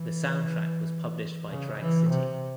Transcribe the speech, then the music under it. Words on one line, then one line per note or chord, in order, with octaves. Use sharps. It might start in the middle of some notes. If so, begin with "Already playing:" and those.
The soundtrack was published by Drag City.
Already playing: E3
C#3
E3
C3